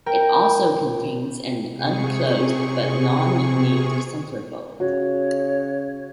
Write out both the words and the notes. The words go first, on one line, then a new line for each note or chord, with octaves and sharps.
It also contains an unclothed but non-nude centerfold.
A#4 G5 A#6
C3 G#4 C#6
C#3 F#4 C#5